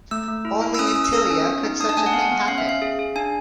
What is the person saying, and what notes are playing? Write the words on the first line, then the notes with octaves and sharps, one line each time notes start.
Only in Tilea could such a thing happen!
A3 E6
A3
E4
E4
E6
C#4 D#6
E6
C#4 D#6
E6
A4 D#6
C#4
B3
D#4
D4 D#6
A5
A3 G#5
F#5
B3 F5
F#5
B3
C#4 F5
E5
C#4 F5
G#4
G#4
D4 G#5